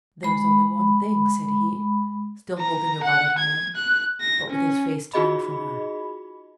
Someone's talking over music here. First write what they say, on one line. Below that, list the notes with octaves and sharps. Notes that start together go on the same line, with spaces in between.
"There is only one thing," said he, still holding her by the hand, but with his face turned from her.
G#3 B5
A#5
F#5
G#6
F#6
A#6
C#4
D#4 F4 F#4 G#4 D#5 B5